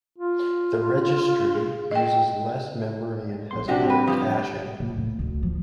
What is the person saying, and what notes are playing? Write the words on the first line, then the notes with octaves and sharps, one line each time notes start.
The registry uses less memory and has better caching.
F4
G#4
D#5 G5
A#1 B3 C6
C3 G3 C4 D4 F#4 G4
B4
F3 G4
A#2
A2
D2
F3